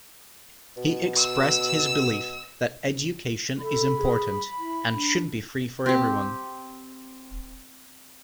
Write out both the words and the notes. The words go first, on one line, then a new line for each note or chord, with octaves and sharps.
He expressed his belief that education is important and should be free for everyone.
B2
E6
A4 B5
G#4
E4
D4
C4 G4